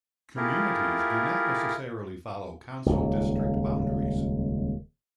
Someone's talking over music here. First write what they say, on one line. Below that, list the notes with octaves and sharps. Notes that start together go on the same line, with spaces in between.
Communities do not necessarily follow Council District boundaries.
A3 E4 F4 G4 G#4 A#4
D#1 C#2